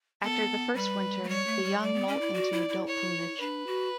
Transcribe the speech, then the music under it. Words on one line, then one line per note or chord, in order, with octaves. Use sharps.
After the first winter, the young moult into adult plumage.
B3 A4
G3 B4
A3
G3 C#5
A3
G3
G3 D5
B3
C#4
E4
F#4
E4
E4
C#5
D4 B4
F#4